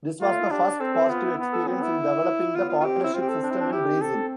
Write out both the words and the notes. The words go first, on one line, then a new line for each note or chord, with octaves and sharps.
This was the first positive experience in developing the partnership system in Brazil.
A3 F4
A3
E4
D4 G4
C4 A4
A4
B3 F4
E4
B3
A4
B3 C4
E4
B3 F4
F4
F4
C4 G4
E4
C4 F4
G4
A4
D4
E4
D4
E4 G4
C4
C4 A4